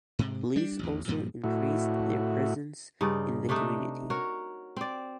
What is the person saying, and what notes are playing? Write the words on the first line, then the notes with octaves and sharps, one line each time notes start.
Police also increased their presence in the community.
G#2 C3
G3 D4
A1 E2
G2 A#2 F3
A2 E4 F#4
G2 C#3 D#4 D5
C3 A3 D4 D#4
F#4 A#4 C#5
C4 D5